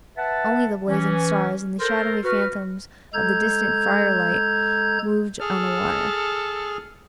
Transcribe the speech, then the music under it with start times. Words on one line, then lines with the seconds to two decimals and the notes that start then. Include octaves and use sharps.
Only the blazing stars and the shadowy phantoms of the distant firelight moved on the water.
0.17 B4 E5 F#5 A5
0.89 E3 C#4
1.80 A4 A#4 C5
2.24 F#4 B4 F6
3.14 G#3 A4 A#5 G6 G#6
5.40 G#4 A4 F6